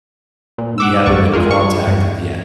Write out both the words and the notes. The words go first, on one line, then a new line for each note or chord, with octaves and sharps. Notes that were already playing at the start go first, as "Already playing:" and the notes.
we haven't been contacted yet?
A#2
F#5 D6 E6
A1 G2 D5 C#6
G#3 F4 G#4 A#4
C#6
G2